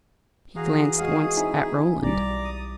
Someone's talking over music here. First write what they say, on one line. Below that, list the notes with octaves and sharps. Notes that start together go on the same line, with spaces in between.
He glanced once at Roland.
E3 F#4 G#4 F5 A#5
G#3 F#4 F5 D#6
C4 D#4 E4 E5 G#5
B1 G3 D5 A#5
D#6